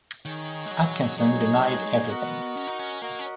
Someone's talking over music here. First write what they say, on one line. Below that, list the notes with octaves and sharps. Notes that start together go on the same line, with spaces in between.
Atkinson denied everything.
D#3 D#4 G#4 C#5
G#3
F#3
F#3 D#4 G#4 C#5
F#3
G#3
F#3
G#3
A#3
B3 F#4 A#4 D#5 F#5
C#4
D#4
C#4
A#3 F#4 A#4 D#5 F#5
C#4